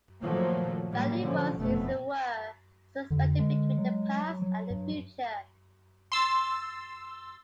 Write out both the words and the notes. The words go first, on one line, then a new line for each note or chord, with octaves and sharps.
Value was, as it were, suspended between the past and the future.
A#2 D#3 F3 F#3 A3 A#3
A2 F#3 G3 A#3
D3 F3 C#4
F1 F#2 B2 A3 B3
F2 D3
G#3
F#3
F#3
G2
C6 E6 A6